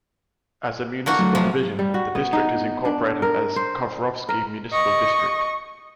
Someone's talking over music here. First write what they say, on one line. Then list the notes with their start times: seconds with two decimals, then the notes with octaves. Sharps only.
As a municipal division, the district is incorporated as Kovrovsky Municipal District.
1.06 D3 A#3 F#4
1.19 F#3 A3
1.35 C3 F3
1.79 G3
1.94 F#4
2.15 B3
2.33 D#4
2.85 D4
3.22 A#4
3.56 C5
4.29 A#4
4.72 D#5 C#6